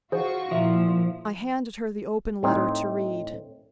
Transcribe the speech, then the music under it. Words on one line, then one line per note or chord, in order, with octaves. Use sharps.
I handed her the open letter to read.
F4 F#4 G#4 C5 C#6
A#2 F3 E4 A4 E5
A2 C4 D#4